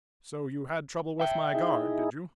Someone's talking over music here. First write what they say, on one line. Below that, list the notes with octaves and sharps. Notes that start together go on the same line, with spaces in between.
"So you had trouble with my guard, did you?"
E5 G5
D#4 E4 G#4